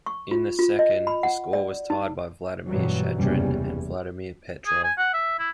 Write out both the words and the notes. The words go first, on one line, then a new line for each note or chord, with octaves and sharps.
In the second the score was tied by Vladimir Shadrin and Vladimir Petrov.
C#6
F4
F4
D#5
B5
F#5
D5
D#4
G2 B2 E3 F#3 G3
F#1 E2 G2 C3 G3 C#4
G#4
G#5
F#5
E5
E4